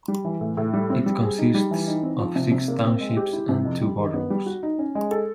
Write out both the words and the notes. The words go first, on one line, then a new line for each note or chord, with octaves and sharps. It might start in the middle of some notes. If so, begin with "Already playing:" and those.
It consists of six townships and two boroughs.
G3
E3
A2
A2
G3
C4
G3
G#4
D#4
G3
E3
D#4
C4
F3
C3
C3
A#3
C4
G#3
G4
E4
C3
F2
G3
D#3
B3
G3
F#4
D#4
C#4
G#3
A4